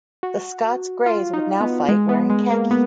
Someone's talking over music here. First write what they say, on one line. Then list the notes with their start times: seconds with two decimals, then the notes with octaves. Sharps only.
The Scots Greys would now fight wearing khaki.
0.23 F#4
1.06 F4
1.33 D#4
1.61 B3
1.88 G#3
2.09 B3
2.30 G#3
2.50 A#3
2.71 B3